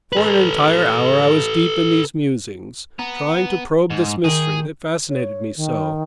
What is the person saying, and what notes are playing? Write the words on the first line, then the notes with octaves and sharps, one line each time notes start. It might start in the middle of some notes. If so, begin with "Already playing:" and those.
For an entire hour I was deep in these musings, trying to probe this mystery that fascinated me so.
A4 B4
B3 A#5
G#2
D#3 G#4 G5
C#5
D#3